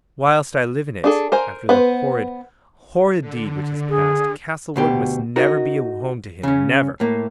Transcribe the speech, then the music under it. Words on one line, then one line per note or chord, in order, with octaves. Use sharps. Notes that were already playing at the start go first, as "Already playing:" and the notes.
Whilst I live in it, after the horrid horrid deed which has passed, Castlewood must never be a home to him--never.
D4 G#4 A4
A#4 C5 G#5
B3 B4 C5
D3
G#4
D2 B2 G4
D#4 F#4 A#4
C#3 C#4
A2 A#3